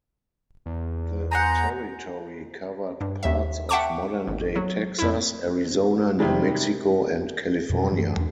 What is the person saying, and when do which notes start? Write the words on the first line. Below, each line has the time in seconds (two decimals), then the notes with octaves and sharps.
The territory covered parts of modern-day Texas, Arizona, New Mexico, and California.
0.66 E2
1.31 G#4 C5 F#5 A#5
3.01 G2
3.23 D#2 E5
3.69 E5 F#5 G5 A5 C#6 D6
4.27 G#1
4.56 F#3
4.99 F2 E4
6.19 C3 D#3 G3 G#3
7.70 F2 B2 F#3
7.92 F#2 E3
8.17 E2 D4